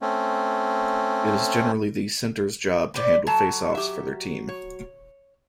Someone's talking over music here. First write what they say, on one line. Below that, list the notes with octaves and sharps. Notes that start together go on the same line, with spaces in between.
It is generally the centre's job to handle faceoffs for their team.
A3 C4 C#4
B4 C5 D5
F#3 A4 A5
G4 E5
C#5